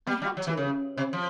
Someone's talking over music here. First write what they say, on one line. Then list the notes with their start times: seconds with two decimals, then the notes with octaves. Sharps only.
I had to.
0.07 G3
0.22 G3
0.37 F#3
0.47 E3
0.57 C#3
0.97 C3
1.13 F3